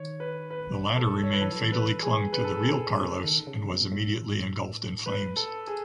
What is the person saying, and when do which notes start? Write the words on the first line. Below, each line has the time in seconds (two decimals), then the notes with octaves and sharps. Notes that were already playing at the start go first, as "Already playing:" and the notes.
The latter remained fatally clung to the “Real Carlos” and was immediately engulfed in flames.
Already playing: D#3 C#5
0.20 B4
0.50 B4
0.96 A4
1.23 C#5
1.33 B4
1.41 E3 A4
1.52 F#3
1.61 E3
1.72 B4
2.02 G#4
2.33 B4
2.44 A4
2.56 G#4
2.68 A4
2.87 A2
2.99 B2
3.11 C#3
3.24 D#3
3.47 C#3
3.70 B2
3.92 A2
5.06 B4
5.36 A4
5.67 G#4